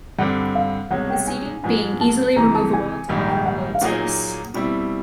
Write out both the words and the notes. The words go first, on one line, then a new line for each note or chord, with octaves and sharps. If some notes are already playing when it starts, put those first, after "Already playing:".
The seating being easily removable to offer load space.
G2 D3 G3 C4 F#5
F5
C2 B2 G#3 C#4 F#5
G5
G#5
G#2 F3 G#3 G#5
A5
C#2 C3 E3 A#5
A5
G#5
A#1 G#2 D#3 G3
G5
F#5
F5
A#2 F#3 A#3 D#4 G#4 F#5
B2 G3 C4 E4